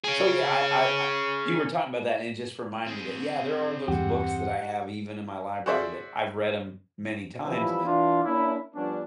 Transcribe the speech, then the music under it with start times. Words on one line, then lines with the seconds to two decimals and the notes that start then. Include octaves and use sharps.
so, yeah, I I I you were talking about that and it just reminded me that, yeah, there are those books that I have even in my library that I've read 'em many times,
0.04 C#4 G#4
2.86 C4 G#4
3.88 E2 G2 G4 F#5
5.66 F#4 G#4 C5 D5 E5
7.45 E3 F3 G3 B3 C#4 E4
7.85 E3 D4 F4
8.24 A#3 C#4 D4 E4
8.75 F3 G3 B3 C#4 D4